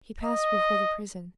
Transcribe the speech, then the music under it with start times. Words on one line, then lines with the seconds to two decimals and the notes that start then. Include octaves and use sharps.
He passed before the prison.
0.24 D#5